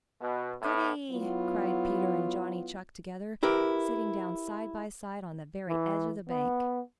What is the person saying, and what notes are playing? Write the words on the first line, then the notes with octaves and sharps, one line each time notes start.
"Goody!" cried Peter and Johnny Chuck together, sitting down side by side on the very edge of the bank.
B2
A2 B3
F#3 B3 E4 F4
E4 G4 A#4 B4
E3
B3